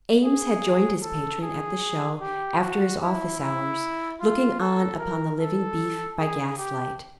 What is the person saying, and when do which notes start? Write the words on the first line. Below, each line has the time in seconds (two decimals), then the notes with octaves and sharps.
Eames had joined his patron at the show after his office hours, looking on upon the living beef by gaslight.
0.24 G#4
1.02 A4
1.42 G#4
2.21 G4
2.61 F#4
3.01 E4
3.40 E4
4.20 F4
4.60 A4
4.98 A#4
5.39 A4
6.18 G#4
6.58 G4